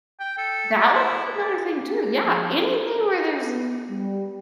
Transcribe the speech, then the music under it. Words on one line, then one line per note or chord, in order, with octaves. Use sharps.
That would be another thing too, yeah, anything where there's
G5
A4
D5
E4
D5
G#4
F3
A4
B3
G3